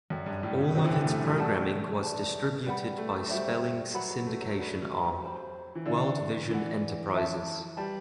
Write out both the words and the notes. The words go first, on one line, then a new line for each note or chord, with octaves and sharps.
All of its programming was distributed by Spelling's syndication arm, Worldvision Enterprises.
F#2 A4 D5 G5
G2
A2
B2
C3 D4 F#4 C5 G5
E3
D3
A3
G3
A3 G4 D5 F#5 A5
B4 D5 A5
G3 B4 D5 F#5 B5
A3
G3 F#4 C5 E5
F#3 B4 F#5 B5
F#3
A3
F#3
D4 F#4 B4
G4 C5 G5 B5
E3
D3 E4 B4 D5
E3 B4 D5 F#5
A4 E5 A5
G3 G4 B4 D5 A5